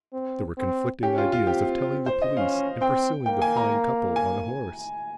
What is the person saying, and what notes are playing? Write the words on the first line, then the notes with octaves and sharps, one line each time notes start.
There were conflicting ideas of telling the police and pursuing the flying couple on a horse.
C4
C4
C#4 G4
F4
F4
C4 G4
C5
D#5
C#4 F5
C4 G5
A#3 G5
G#5
A#5
G#5